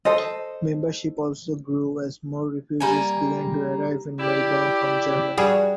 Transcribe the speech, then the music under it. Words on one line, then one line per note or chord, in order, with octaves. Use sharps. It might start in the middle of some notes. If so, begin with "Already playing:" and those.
Membership also grew as more refugees began to arrive in Melbourne from Germany.
A4 C5 D#5
G3 A#3 G#5
E4 G4 D5
G2 G3 F#4 G#4